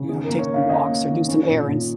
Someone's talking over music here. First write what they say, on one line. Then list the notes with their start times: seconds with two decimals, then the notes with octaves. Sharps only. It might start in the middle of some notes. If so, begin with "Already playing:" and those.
you know, take some walks or do some errands.
Already playing: C#3
0.09 D#3 G#4
0.24 A#3 A#4
0.39 C#5
0.49 A#3
0.54 F5
0.69 C#4 D#5
0.89 A#3
1.09 D#3
1.29 C#4
1.48 A#2
1.68 A#2